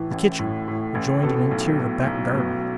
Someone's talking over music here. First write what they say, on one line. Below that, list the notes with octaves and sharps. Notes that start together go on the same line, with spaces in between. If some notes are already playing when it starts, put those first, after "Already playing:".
The kitchen adjoined an interior back-garden.
Already playing: A2 E3
A1
A2
A2
A1
B2 A4
B1
B2
B1
B2